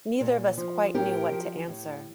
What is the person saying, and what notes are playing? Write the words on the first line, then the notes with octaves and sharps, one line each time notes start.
Neither of us quite knew what to answer.
A#2
F3
A2 G4 A#4
F3
A2